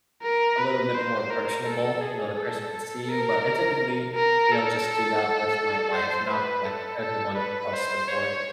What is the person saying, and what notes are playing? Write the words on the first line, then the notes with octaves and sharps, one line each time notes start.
a little bit more personable. You know, the person could see you, but I typically, you know, just do that with my wife, not, like, everyone across the board,
A#4
B4
C5
A#4
A4
G#4
A4
A4
A#4
A#4
A4
A4
C5
B4
A4
A4
B4
C5
C#5